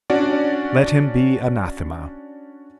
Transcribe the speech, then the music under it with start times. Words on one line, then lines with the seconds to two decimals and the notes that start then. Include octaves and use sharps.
Let him be anathema....
0.10 C#4 D4 F#4 D5